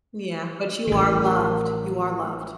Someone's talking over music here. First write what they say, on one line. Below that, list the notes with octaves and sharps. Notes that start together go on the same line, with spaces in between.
Yeah, but you are loved, you are loved.
A1 D#3 A#4